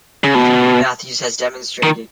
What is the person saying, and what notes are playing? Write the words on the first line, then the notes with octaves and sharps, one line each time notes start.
Matthews has demonstrated.
C#3
B2
D#3